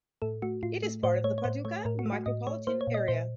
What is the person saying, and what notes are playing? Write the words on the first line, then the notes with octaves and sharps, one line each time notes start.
It is part of the Paducah micropolitan area.
A2 A4
A3 F#4
A2 F4
A3
A2 C5
A3 C#5
C#5
A2 C5
A3 C#5
A2 A#4
F#4
A3
F#4
A2 D#5
A3 C#5
A#3 C5
C#5
A#2
D#5
A#2 C5